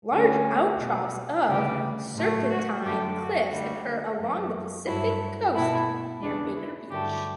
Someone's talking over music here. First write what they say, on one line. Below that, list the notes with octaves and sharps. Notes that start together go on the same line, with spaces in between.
Large outcrops of serpentine cliffs occur along the Pacific coast near Baker Beach.
D2 D3 G3 C#4
B2 G3
D2 C#3 E3 G3 G4
A2 F#3 A3
F#4
F#2 D3 A3 G4
F#4
D2 D3 G3
F#2 E3 A3
G2 F#3 A3 E4
B2 A3 E4
E2 C#3 E3 D4
E4
G2 D3 F#3 A3 G4